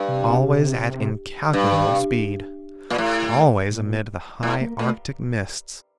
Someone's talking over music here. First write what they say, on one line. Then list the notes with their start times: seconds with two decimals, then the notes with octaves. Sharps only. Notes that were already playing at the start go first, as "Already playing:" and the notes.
Always at incalculable speed! Always amid the High Arctic mists!
Already playing: G2
0.08 C3
1.53 G2 G3
1.72 D#3
1.90 C3
2.90 A#2
2.98 A2
3.70 A#2
4.43 A2
4.61 A#3
4.79 A#2 A3